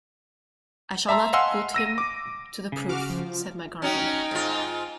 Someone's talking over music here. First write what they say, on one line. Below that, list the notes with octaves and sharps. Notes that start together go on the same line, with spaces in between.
"I shall not put him to the proof," said my guardian.
E5 A5 A#5 C6 E6
D#5 F5 F#5 G#5 C6 E6
E6 A#6 D#7
D6
C#3
F#4 D6 F6
F3
F#3 C#4 D#4 G5
G#2 F4